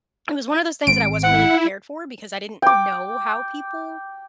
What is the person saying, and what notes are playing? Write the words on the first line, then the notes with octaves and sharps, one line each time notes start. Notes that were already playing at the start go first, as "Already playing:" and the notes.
it was one of those things that I wasn't really prepared for because I didn't know how people
G#1 G#3 C4 D7
E4 F#5
G5 D6